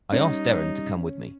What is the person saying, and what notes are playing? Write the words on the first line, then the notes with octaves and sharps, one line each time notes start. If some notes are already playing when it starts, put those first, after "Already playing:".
I asked Deren to come with me.
G3 C#4 D#4